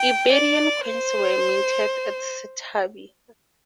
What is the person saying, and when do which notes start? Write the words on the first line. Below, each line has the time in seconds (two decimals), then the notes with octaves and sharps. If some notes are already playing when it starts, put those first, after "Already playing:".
Iberian coins were minted at "Setabi".
Already playing: G5
0.32 D5
0.86 C5